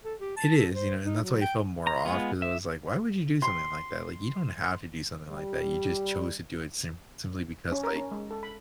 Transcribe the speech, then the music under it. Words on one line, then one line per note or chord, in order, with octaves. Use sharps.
It is, you know, and that's why I felt more off 'cause It was like, "Why would you do something like that?" Like, you don't have to do something like that. You just chose to do it sim simply because, like,
A4
G4
A5
A4
C5
D#4
F#3
G5
A#5
G#3 B3 F4
E5
C6
G3
C#4
A#4
C#4
G#3
A4
B5